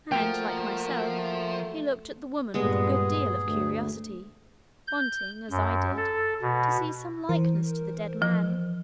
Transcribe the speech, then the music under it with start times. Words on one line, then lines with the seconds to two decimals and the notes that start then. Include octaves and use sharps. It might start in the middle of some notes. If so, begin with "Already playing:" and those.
And, like myself, he looked at the woman with a good deal of curiosity, wanting--as I did--to see some likeness to the dead man.
0.12 F3 A3 A#3 F#4 A#4 G5
2.54 G2 A#2 G3 G#3 B3 G#4 D#5
3.46 D2 A3
4.87 G6
5.51 F#2
5.97 A4
6.42 B2
7.29 E3 A#4 C5
8.22 F3